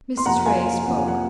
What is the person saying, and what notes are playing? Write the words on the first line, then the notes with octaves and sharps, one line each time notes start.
Mrs. Ray spoke.
C6
F2 C3 F3 A#3 F#5 A#5
F5 G#5
F5
F2 C3 F3 A#3 F#5
G#5
F#5